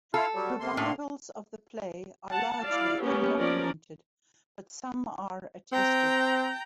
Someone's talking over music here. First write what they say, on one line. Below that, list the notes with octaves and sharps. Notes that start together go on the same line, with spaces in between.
Revivals of the play are largely undocumented, but some are attested.
E4 F4 A4 F5
F#3 G3
C3 A#3 C6
A2
F#5 A5
E4 D5 F5
A#3 B3 C#4 G4
F3 C#4 A#4 D5
C4 G5 A#5